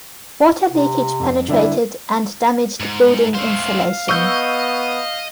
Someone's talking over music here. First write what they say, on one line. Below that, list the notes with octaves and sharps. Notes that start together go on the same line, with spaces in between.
Water leakage penetrated, and damaged building insulation.
C3
F2
D3 G3 D4 E4
G#2
A3 C5 F5
B3 D#5 C#6 E6 G6